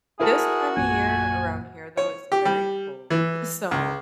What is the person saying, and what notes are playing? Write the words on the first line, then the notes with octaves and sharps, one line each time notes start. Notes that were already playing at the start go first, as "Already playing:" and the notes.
This time of year around here, though, it's very cold. So,
E4 F#4 G#4 A#4 A5
A#1 F#2 A#2 G#5
C#5
G4
G3
E3
C#2